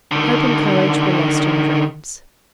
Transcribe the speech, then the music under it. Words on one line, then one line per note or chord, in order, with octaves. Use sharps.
Hope and courage were lost in dreams.
D3 D#3